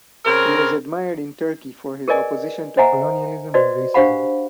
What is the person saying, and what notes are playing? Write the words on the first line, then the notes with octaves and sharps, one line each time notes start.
He was admired in Turkey for his opposition to colonialism and racism.
C#3 C4 A#4
G#4 A#4 B4 D5 D#5 G#5
C5 D#5 E5 F#5 G#5 A#5
F#4 B4 C5 D5 D#5
D4 G4 C5 F5 F#5 B5